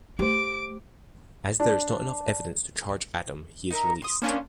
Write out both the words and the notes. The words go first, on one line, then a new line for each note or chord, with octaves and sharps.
As there is not enough evidence to charge Adam, he is released.
A3 G4 C5 D6 D7
D4
D#4 A#4 E5
C6 D#6
A#3 B3 C#4 D4 F4 C5